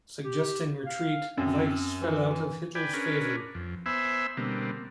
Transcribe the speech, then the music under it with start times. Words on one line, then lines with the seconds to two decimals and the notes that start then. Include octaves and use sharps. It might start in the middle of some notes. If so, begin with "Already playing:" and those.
Suggesting retreat, Weichs fell out of Hitler's favor.
0.24 G4
0.86 F5
1.37 F#2 C4
2.01 E3
2.75 B4 D5 G5 G#5
2.93 C#4 D4 G#4 A#4 B4
3.55 F2
3.86 B3 C5 E5 G#5 B5 E6
4.37 B2 D3 G3 A#3 C4